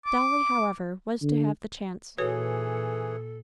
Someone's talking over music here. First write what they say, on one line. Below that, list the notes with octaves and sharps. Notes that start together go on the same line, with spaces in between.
Dolly, however, was to have the chance.
D6
D3
A#2 E3 F#4 G#4 A4 B4 C#5